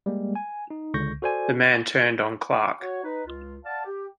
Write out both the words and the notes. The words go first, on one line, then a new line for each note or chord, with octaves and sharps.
The man turned on Clark.
G3 G#3 A#3
G#5
D#4
C#2 D3 C#6 G6 A#6
F#4 A4 C5 D5 G#5
F#4 C#5
D#4 B4
C#2 F4
D5 F5 F#5 A5
G4